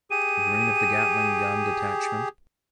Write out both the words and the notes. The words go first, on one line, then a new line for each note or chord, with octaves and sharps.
Green of the Gatling Gun Detachment.
G4 G#4 D#7